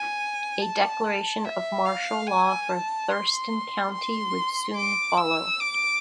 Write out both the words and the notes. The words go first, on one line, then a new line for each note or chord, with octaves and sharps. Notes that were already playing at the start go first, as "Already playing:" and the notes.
A declaration of martial law for Thurston County would soon follow.
Already playing: G#5
A5
E5
F5
G#5
A5
C6
C6
D6
E6
D6